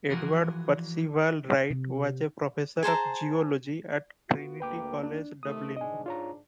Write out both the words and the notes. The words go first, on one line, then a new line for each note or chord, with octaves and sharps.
Edward Percival Wright was a professor of Geology at Trinity College Dublin.
E3 F3 F#4 G#4 A#4
C3
G#4 C5 A5 A#5
B3 F4 F#4
D2 A#3 B4 G5 D6
D4
C3 D#3 A3 D#6
G#2 D4 D#5 G#5
F4 C#5 A#5